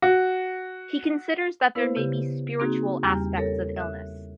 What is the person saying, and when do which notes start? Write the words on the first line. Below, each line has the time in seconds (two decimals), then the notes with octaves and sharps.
He considers that there may be spiritual aspects of illness.
0.02 F#4
1.75 B3 E4 B4 C5 F5
1.96 C#3 G4
2.59 A#3 C4 D#4 F#4 G#4
3.03 E2 G3 G4 A#5 F6
3.37 A4 A#4 C#5
3.76 E5 F#6